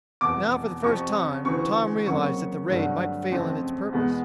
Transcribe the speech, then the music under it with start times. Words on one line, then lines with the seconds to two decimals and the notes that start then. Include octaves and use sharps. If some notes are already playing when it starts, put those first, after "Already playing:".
Now, for the first time, Tom realized that the raid might fail in its purpose.
0.21 F1 E2 B2 D6
0.83 F2 C3 F3 C#6
1.45 D2 C#3 E3 C#6
2.07 F2 C#3 F#3 A#3 C#6
2.69 G2 D3 F#3 A3
3.32 F2 C#3 F3 A3 C4
3.93 E2 B2 G#3 B3